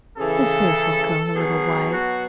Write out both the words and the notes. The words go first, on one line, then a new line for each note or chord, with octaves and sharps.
His face had grown a little white.
C#3 E3 A4
B2 F#3 G#4
F#4